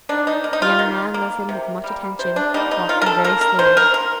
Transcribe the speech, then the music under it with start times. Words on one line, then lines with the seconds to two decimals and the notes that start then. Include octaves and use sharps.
The young man listened with much attention, walking very slowly.
0.09 D#3 D4
0.27 D#4
0.44 A#3
0.53 D#4
0.62 F4
0.79 D#3
1.14 A#3
1.49 C3
1.84 G3 A#3
2.19 C3 C5
2.36 D4
2.54 G3 A#3 D#4
2.71 D#4
2.89 D#3 F4
3.02 A#4
3.06 A4
3.24 A#3 A#4
3.41 A#4
3.59 D#3 C5
3.77 A#4
3.94 A#3 A#4